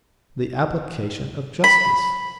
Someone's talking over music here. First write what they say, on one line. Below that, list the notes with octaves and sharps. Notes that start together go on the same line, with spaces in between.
"The application of justice."
B5